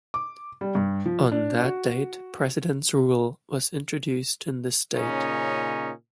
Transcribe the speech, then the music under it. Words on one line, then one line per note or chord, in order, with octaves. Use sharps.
On that date President's Rule was introduced in the state.
D6
G3
G2
F3
D4
F#4
A#2 C#3 C#4 D#4